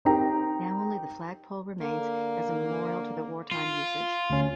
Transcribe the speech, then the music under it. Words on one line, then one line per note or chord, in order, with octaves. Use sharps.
Now only the flag pole remains as a memorial to the wartime usage.
C4 D#4 G4 A#4 G5 A#5
D3 A#3
F4
D2 C#4